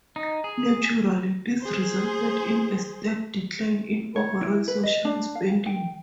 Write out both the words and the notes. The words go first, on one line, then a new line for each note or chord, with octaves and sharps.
Naturally, this resulted in a steep decline in overall social spending.
D#4
G#4
G#4 C5
C#5
E4
B4
D#5
D4
F5
G5